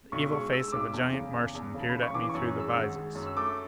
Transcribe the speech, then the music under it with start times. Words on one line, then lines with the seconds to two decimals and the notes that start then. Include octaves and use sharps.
The evil face of a giant Martian peered at me through the visors.
0.12 B1 C#6
0.32 G#3 C#6
0.52 G#3 E6
0.68 E6
0.72 B1 D6
0.93 E2
1.13 C#3
1.34 E2
1.55 E2
1.74 C#3 A5
1.89 B5
1.95 C#3
2.03 C#6
2.14 E3 D6
2.29 C#6
2.35 F#2
2.55 G#3 E6
2.75 G#1
2.96 G#3
3.15 F#2
3.27 E6
3.37 A3 D6